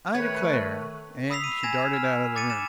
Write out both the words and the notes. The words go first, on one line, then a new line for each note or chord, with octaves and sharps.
"I declare!" and she darted out of the room.
D#3 A3 B4 C#5
B5 D#6 E6 B6 C7 F7
D#7
G#5 G#6 A#6 E7
F6
D6 A6 C#7 D#7
E7